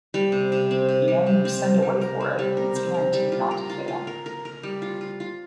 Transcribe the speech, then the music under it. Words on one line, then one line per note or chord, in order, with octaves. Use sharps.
You know, you send away for it and it's guaranteed not to fail.
G3
C3
C3
C4
C3
G3
C3
C4
A#4
G3
A#4
C4
G3
A#4
C4
A#4
G3
F4
A#4
F4
F4
A#4
A#4
A#4
G3
F4
F4
F4